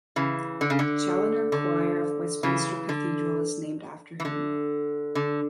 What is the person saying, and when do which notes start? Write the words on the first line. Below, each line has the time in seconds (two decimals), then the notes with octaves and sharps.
Challoner Choir of Westminster Cathedral is named after him.
0.16 C#3 E3
0.61 D3
0.70 C#3
0.79 D3
1.52 D3
2.43 C#3 E3
2.89 D3
4.20 E3
4.25 D3
5.15 D3